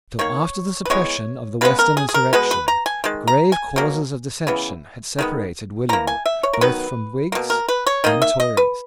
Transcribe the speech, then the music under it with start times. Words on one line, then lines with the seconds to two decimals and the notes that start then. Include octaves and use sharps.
Till after the suppression of the Western insurrection grave causes of dissension had separated William both from Whigs and Tories.
0.19 D#3 A#3 C#5
0.85 B4
0.90 E3 G#3 B3 C#5
1.61 C#3 G#3 B3 B4
1.79 A#4
1.97 G#4
2.09 G#4
2.14 A#4
2.33 B2 G#3 B3 B4
2.51 B4
2.68 A#5
2.86 G#5
3.04 D#3 G#3
3.27 A#5
3.52 G#5
3.76 B2 F#3 A#3
4.47 C#3 E3 B3
5.19 D#3 G#3 B3
5.89 E3 A#3 A#5
6.07 G#5
6.26 E5
6.43 C#5
6.53 A#4
6.61 D#3 F#3 B3 B4
7.32 B2 A#3
7.50 A#4
7.68 B4
7.86 C#5
8.04 D#3 A#3 D#5
8.22 E5
8.40 D#5
8.57 B4